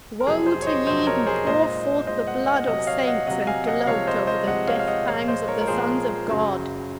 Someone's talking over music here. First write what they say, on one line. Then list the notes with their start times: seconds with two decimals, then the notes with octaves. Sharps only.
Woe to ye who pour forth the blood of saints, and gloat over the death-pangs of the sons of God!
0.20 A#4
0.27 F2 C3 F#3 G#4
0.46 G#4 C5
0.62 C#5
0.67 C5 D#5
0.87 F2 C3 F#3 C5 D#5
1.07 A#4 C#5
1.27 G#4 C5
1.47 A#2 G#3 C5 D#5
2.07 A#2 G#3 C5 D#5
2.27 D#5 F#5
2.47 D#5 F#5
2.67 C3 F#3 D#5 F#5
2.87 C#5 F5
3.07 D#5 F#5
3.27 C3 F#3 D#5 F#5
3.47 F5 G#5
3.67 D#5 F#5
3.87 C3 F3 G#3 C#5 F5
4.07 C5 D#5
4.27 C5 D#5
4.47 C3 F3 G#3 D#5 F#5
4.67 C#5 F5
4.79 F5
4.87 D#5 F#5
5.07 A#2 F3 G#3 C#5 F5
5.28 C5 D#5
5.48 A#4 C#5
5.61 A#4
5.67 A#2 F3 G#3 G#4 C5
6.28 F#2 C#3 F#3